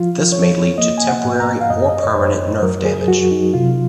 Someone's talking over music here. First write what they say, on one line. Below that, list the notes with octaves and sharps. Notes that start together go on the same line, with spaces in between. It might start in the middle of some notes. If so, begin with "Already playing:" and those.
This may lead to temporary or permanent nerve damage.
Already playing: F3 F4
F3 C#5
A#3 D#5
G#5
F#5
G#2
A#5
F5
F#2 D#5
D#5
C#5
F#2 C5
F#3 A#4
G#4
F#3 F#4
D#4
C3 F4